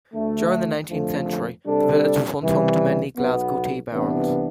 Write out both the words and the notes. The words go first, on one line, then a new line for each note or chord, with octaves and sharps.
During the nineteenth century the village was once home to many Glasgow tea barons.
D2 D3 A3
F2 D3 F3 A3
C3 G3 D4 A4
C2 C3 E3 G3
B1 B2 B3
C2 C3 E3 B3 D4